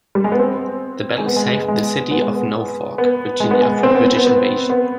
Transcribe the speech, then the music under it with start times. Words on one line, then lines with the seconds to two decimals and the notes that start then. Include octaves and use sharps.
The battle saved the city of Norfolk, Virginia, from British invasion.
0.15 G3
0.24 G#3
0.32 B3
0.39 C4
1.18 G#3
1.26 B3
1.36 G#3
1.47 G#3
1.57 G#3
1.68 G#3
2.11 B3
2.22 G#3
2.33 B3
2.98 B3
3.40 G#3
3.51 B3
3.62 G#3
3.83 C4
3.95 B3
4.05 C4
4.17 B3
4.27 B3
4.70 B3